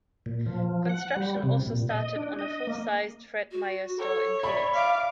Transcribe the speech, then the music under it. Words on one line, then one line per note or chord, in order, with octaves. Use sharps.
Construction also started on a full sized Fred Meyer store in Phoenix.
A#2
F3
F#5
G3
C3
A#2
D#5
D4
D#5
A#3
F#4
A4 C#5
D5 E5 B5
F5 D6